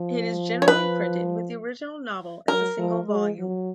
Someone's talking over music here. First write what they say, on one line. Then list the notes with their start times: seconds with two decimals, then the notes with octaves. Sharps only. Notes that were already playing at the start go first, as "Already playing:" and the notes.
It is generally printed with the original novel as a single volume.
Already playing: F3
0.62 C#5
0.68 B4
2.48 F#3 A#4
2.78 F3
3.09 G#3
3.39 F#3